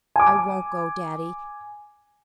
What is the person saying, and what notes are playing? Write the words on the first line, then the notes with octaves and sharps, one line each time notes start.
"I won't go, daddy."
G#5 D6